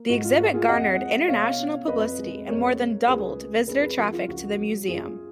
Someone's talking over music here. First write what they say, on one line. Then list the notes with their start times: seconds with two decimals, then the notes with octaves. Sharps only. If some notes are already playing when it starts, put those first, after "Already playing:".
The exhibit garnered international publicity and more than doubled visitor traffic to the museum.
Already playing: A#3
0.09 G#2 F#4
0.24 F4
0.39 A#3 F#4
0.54 F4 G#4
0.68 F2 D#5 F#5
0.99 G#3
1.28 B2 C#5 F5
1.58 C#4
1.88 F2 B4 D#5
2.18 G#3
2.48 F2 A#4 C#5
2.78 G#3
3.08 C#2 G#4 B4
3.38 G#3
3.68 F2 G#4 B4
3.79 A#4
3.82 G#4 B4
3.97 F3 F#4 A#4
4.13 F4 G#4
4.28 C#2 F#4
4.58 F#3
4.88 F#2 F4 G#4